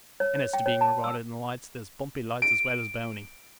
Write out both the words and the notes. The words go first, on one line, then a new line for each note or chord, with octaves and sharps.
And as to being regarded in lights, there's bumpey lights as well as bony.
C#5
C#5
G5
C#5
A5
E6
D7